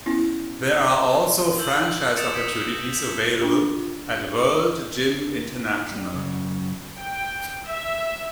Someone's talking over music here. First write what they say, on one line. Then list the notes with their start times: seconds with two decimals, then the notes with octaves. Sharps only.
There are also franchise opportunities available at World Gym International.
0.06 B3 C#4 E4
1.59 E6 G6 F#7
2.16 D#6 G6 A6 C#7 D7 E7
2.34 G#6 B6 C#7 D7
3.40 D4 F4 G4
5.91 G3
6.14 F#2 C#3 E3 F#3
6.98 G5
7.67 E5